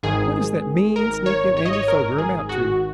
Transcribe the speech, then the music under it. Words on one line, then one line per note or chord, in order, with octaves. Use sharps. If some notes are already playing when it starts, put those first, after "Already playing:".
What does that mean, sneaking Andy Foger amount to?
G#1 G#2 D#3 G#4
A#4
C#5
C#5
D#5
C#5
A#4
G#4
F#4